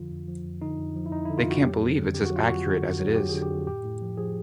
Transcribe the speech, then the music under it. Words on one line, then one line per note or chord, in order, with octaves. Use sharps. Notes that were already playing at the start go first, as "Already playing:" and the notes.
They can't believe it's as accurate as it is.
Already playing: F2 D3 F3 F4
F2
F3
F2
D3 D#4
F2
F3
E4
F2 D#4
E4
D3
F4
F2 F#4
F#3 G4
F2
D3
F2 G4
F#4
F#3 F4
F2 F#4
D3
F2
F#3
F2 G4
D3 G#4
G4
F2
A2 G4
A2
F3
F3 G#4